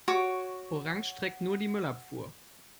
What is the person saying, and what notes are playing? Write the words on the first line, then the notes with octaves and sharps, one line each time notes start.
Orange trägt nur die Müllabfuhr.
F#4 C#5 D6